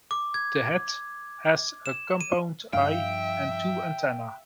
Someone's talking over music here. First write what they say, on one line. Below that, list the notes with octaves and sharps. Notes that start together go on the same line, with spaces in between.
The head has a compound eye and two antenna.
D6
G#6
E7
D#7
G2 F3 E5 F5 G5